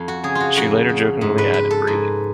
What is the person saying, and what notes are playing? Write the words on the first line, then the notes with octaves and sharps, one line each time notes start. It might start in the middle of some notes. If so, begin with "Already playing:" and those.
She later jokingly added breathing.
Already playing: F2
F#4
C#3 G#4
F4
F#4
F2 F#4
C#3
G#2
B4
B4
A4
G#2